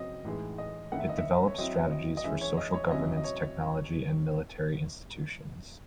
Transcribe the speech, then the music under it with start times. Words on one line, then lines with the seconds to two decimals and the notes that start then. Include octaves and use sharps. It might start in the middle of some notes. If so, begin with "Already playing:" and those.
It develops strategies for social governance, technology, and military institutions.
Already playing: C#3 F#3 C4 D#5
0.25 A2 E3 G#3 D#4
0.58 D#5
0.92 D#3 A3 C#4 E4 F#5
1.00 E5
1.09 D#5
1.18 E5
1.48 C#5
1.58 F#3 C4 E4 D#5
1.91 D#5
2.17 D#5
2.24 E3 G#3 C#4 E5
2.41 C#5
2.57 D#5
2.74 C#5
2.91 C3 F#3 C#4 E4 D#5
3.17 D#5
3.24 C#5